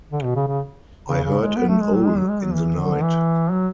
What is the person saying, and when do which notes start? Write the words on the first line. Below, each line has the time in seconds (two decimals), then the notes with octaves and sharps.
I heard an owl in the night.
0.12 D3
0.24 B2
0.35 C#3
0.47 C#3
1.08 C#3
1.24 C#3
1.41 G#3
1.57 B3
1.68 A3
1.81 G#3
1.93 F#3
2.05 G#3
2.18 F#3
2.29 G#3
2.42 F#3
2.54 E3
2.78 D3
3.02 E3
3.51 F#3